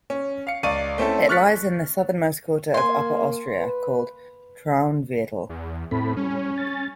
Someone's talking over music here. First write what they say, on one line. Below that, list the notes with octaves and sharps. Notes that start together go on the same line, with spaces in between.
It lies in the southernmost quarter of Upper Austria called "Traunviertel".
C#4
F5 C#7
C#2 D5 F5 C#6 D#7
A3 C4 C#4 E4 A4
C#6 F6 F#6 A6 B6 C#7
A#3 G#5 C6
B4
E2
A2 C4 A4 B5
G3 C#4
A6